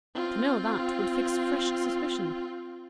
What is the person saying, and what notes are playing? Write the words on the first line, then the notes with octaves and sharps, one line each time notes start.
To know that would fix fresh suspicion.
C4 F4